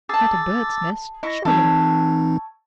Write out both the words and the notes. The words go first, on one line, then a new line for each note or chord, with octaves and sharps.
Not a bird's nest, surely.'
G#4 A5 D6 E6 A6
E4 D#5 C#6 A#6
E3 C4 D#4 A4 C#5